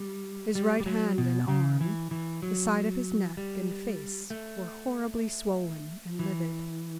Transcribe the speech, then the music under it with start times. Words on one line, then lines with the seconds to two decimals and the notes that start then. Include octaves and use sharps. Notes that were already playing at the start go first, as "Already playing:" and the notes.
His right hand and arm, the side of his neck and face were horribly swollen and livid.
Already playing: G3
0.55 G3
0.80 G3
0.86 F#3
1.18 B2
1.48 C#3
1.81 E3
2.11 E3
2.42 F#3
3.37 G3
4.30 A3
6.19 E3